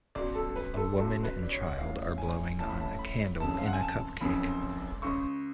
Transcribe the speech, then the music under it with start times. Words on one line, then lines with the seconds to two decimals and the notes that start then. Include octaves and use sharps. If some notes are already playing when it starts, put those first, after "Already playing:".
A woman and child are blowing on a candle in a cupcake.
0.15 C#2 B2 D5
0.35 A4
0.56 B4
0.76 A4
0.96 C#2 B2 A4
1.23 B4
1.43 D5
1.51 C#5
1.66 F#5
1.77 A1 A2 F5
2.18 G#5
2.58 A1 A2 A5
2.69 B5
2.80 A5
2.99 B5
3.40 F#1 F2 C#3 A5
3.58 F5
3.66 F#5
3.73 G#5
3.81 A5
4.20 F#1 F2 C#3 B5
5.02 C#2 C#3 C#6